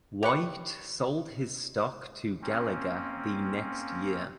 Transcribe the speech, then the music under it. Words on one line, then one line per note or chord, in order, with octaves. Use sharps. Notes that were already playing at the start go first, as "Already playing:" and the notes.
White sold his stock to Gallagher the next year.
G4 B4 C#6
A#3 C4 C#4